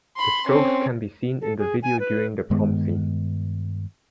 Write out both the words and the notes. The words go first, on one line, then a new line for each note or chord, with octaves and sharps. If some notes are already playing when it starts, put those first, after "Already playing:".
The Strokes can be seen in the video during the prom scene.
B5 C6
C4 C#4
A4
G#4
G#5
B4
G2 D#3 G#3 B3